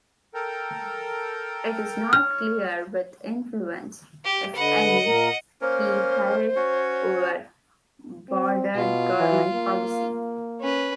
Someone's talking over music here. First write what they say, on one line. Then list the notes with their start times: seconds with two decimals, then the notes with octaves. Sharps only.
It is not clear what influence, if any, he held over broader government policy.
0.34 A4 A#4 G5
2.13 C#5 F6
4.24 G4
4.55 D3 B4 D#5 F#5
5.05 A#2 A#4
5.61 A#3 C#4 A#4 C5
6.56 C#4 F#4 C#5
8.30 C4
8.75 B2 F4
9.20 E3
9.54 A#3
10.61 C#4 B4